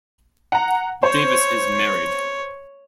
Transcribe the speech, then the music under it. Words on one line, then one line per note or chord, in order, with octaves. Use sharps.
Davis is married.
F#5 A#5
C5 C#5